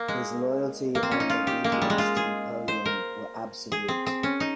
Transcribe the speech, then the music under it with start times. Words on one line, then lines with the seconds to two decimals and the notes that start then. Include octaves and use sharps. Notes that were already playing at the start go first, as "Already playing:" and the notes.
His loyalty and obedience to Napoleon were absolute.
Already playing: A#3
0.08 G#3
0.95 A#3
1.03 C4
1.11 C#4
1.20 D#4
1.30 F4
1.47 G4
1.64 A#3
1.72 G#3
1.82 G3
1.90 G#3
1.98 F4
2.16 G#4
2.68 C5
2.85 A#4
3.72 G#4
3.88 C4
4.06 C4
4.23 C#4
4.40 D#4